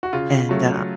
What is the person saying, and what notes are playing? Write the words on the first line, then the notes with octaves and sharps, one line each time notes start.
and uh
F#4
C#3 F4
F#3 A3